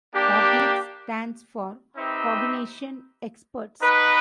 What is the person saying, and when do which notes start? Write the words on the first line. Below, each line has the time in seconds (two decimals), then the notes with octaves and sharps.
Cognex stands for Cognition Experts.
0.13 A#3 D4 G4
1.96 C4 D#4 G4 B4 E5
3.81 D#4 F#4 B4